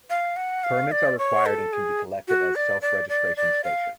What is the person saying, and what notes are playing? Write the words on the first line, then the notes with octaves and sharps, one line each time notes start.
Permits are required and can be collected at a self-registration station.
F5
F#5
F5
D5
C#5
A4
G#4
F#4
D5
D5
D5
D5
F5